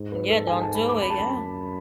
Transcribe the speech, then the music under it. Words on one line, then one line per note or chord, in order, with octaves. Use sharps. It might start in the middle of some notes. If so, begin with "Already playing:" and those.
Yeah, don't do it. Yeah.
Already playing: G#2
B4
A4
G#2 G#5
A5
B5
D6
F#2 B5
A5
B5